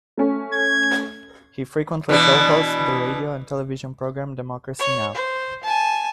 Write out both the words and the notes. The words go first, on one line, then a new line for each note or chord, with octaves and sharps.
He frequently co-hosts the radio and television program Democracy Now!
A3 C#4
G#6
B2 E3 D4
C#5
C5
G#5 A5